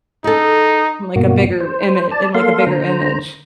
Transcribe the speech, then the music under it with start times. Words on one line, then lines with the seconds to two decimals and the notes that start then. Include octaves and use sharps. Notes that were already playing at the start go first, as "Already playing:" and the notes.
like, a bigger ima in, like, a bigger image.
0.24 D#4 G#4 A4
1.16 G2 B2 A#3 F#4
1.60 C5
2.11 D5 A5
2.34 A#3 A4 F5 C6
2.66 D3 C5 A#5